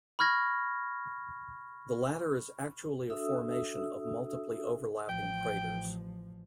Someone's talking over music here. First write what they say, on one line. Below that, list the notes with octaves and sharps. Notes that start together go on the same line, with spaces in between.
The latter is actually a formation of multiply overlapping craters.
B5 C#6 F6 G#6 A#6
D4 F#4 A4 E5 D#6 E6
A1 F3 G5